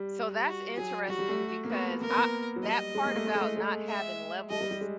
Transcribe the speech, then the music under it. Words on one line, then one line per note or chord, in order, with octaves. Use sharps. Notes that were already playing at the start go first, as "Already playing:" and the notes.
So that's interesting because, I that part about not having levels
Already playing: G3
F#4
F#3 G#4
G3 F#4
G3
A3
A#3
B3 F#4
A#3 A#4
B3
A#3
F#3
G3 D#5
G#3
A#3
A3
A3
G#3
A3
G#3
E5
G3 D#5
G3
G3
G#3